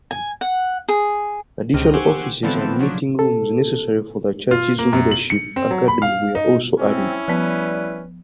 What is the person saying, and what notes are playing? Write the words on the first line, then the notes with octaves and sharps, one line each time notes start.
Additional offices and meeting rooms necessary for the church's Leadership Academy were also added.
G#5
F#5
G#4
C#2 C3 G5 F6 A#6 D#7
G4 C5 F#5 G#5 C#6 E6
D3 E3 F3 B3 C4 A4
F3 F#3 D4
A4
F4
A#3
F#2
F#7
C#7
C4
F#3
B5
F5
D#4
C4 C#4 E4
F3 G3 B3 B4